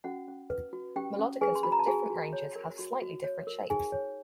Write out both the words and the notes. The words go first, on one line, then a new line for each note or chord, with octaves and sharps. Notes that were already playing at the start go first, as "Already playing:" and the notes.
Melodicas with different ranges have slightly different shapes.
C#4 F#4 F#5
C#4
B4
F#4
C#4 G4 G5
C#4
G#4 B4 G#5
C6
F#4 B5
A#5
A5
F#4 G#4 G#5
F#4
C#5
A#4
F#4
F#4
C#5
A#4
D#4 G#4 G#5
C#5